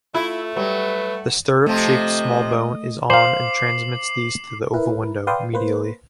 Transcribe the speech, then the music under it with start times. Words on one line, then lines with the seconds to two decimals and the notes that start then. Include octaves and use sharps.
The stirrup-shaped small bone is on and transmits these to the oval window, medially.
0.14 A3 E4 F4
0.56 F#3 G3 B4
1.66 C3 F3 A3 D#5
3.10 C5 F5 D6 C7 F#7
4.74 E4 A#4 B4
5.27 B4 D5 F5 G5 C6 D#6
5.53 A#3 B4 C5